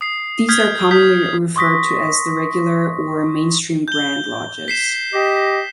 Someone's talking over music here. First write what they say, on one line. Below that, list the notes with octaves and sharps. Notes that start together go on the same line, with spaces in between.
These are commonly referred to as the "regular" or "mainstream" Grand Lodges.
D#6 C7
D#6 F6 G6 G#6 B6
D#6 G6 B6
C6 C#6 D#6 A#6 B6
G6 G7
B6 C7 E7
G4 D#5